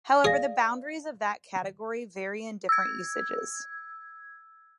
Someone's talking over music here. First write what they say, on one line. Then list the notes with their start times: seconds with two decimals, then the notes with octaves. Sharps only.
However, the boundaries of that category vary in different usages.
0.25 G#4 D5 F5 A#6
2.69 E6 G#6